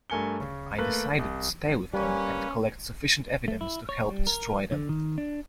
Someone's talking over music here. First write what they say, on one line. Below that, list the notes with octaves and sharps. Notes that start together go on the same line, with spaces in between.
I decided to stay with them and collect sufficient evidence to help destroy them.
G2 A3 A#4 G#5 C#7 G7
C#3
A3 A#3 B4
C2
G3 A#3 C#4 B4
A3
E4
C#5
G3
A#4
D3
D#3
D4